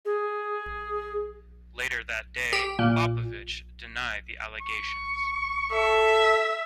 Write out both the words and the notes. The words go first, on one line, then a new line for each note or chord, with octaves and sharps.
Later that day Popovych denied the allegations.
G#4
G4
A#2
C#6
A4 E5